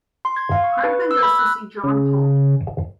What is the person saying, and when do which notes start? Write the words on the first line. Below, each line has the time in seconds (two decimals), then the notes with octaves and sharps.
Craig then goes to see John Paul.
0.25 C6
0.36 G#6
0.52 F5
0.64 C#6
0.84 B4
1.11 E6
1.23 B5
1.39 F#6
1.83 C#3